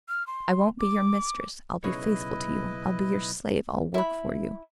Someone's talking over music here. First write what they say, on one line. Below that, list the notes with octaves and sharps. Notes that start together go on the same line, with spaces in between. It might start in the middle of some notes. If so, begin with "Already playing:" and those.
I won't be your mistress, I'll be faithful to you, I'll be your slave, I'll work for you.
F6
C6
D6
B1 C#3 E4 B4 C#5 D#5
E4 B5